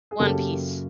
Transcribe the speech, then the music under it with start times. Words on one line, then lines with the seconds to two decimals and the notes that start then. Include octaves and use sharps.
One Piece.
0.11 G#4
0.19 F#2 C#3 F#3 A#3 C#4 G4 A4